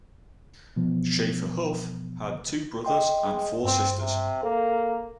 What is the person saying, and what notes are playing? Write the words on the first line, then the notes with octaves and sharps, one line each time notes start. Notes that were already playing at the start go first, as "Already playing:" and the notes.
Schaeffer Huff had two brothers and four sisters.
B2 E3 F3 B3
D#5 G5 C6
G#3
G2 C4 C6
C3
A#3 A4